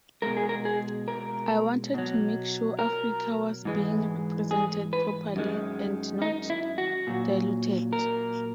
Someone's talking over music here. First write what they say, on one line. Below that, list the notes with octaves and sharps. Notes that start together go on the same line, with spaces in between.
I wanted to make sure Africa was being represented properly and not diluted.
B2 G#3 A#4
G#4
A#4
G#4
A#4
B2 F#3
A#4
G#2 E3 G#3
G#4
B4
F#2 D#3 G#3
D#4
E4
F#4
A#2 F#3
A#4